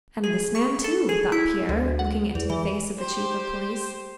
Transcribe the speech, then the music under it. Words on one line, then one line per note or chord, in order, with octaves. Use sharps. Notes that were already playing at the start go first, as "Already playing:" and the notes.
"And this man too," thought Pierre, looking into the face of the Chief of Police.
G#4
C#6
A4
G#4
E4
D2
F#5
E2
E3
G4 C5